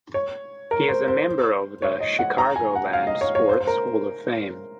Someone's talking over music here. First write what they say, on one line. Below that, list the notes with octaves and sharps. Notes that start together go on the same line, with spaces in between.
He is a member of the Chicagoland Sports Hall of Fame.
C#5
A#4
C5
C5
C#5
D#5
F#5
A#5
G#5
F#5
F5
D#5
C#5
C#5
C5
C5
A#4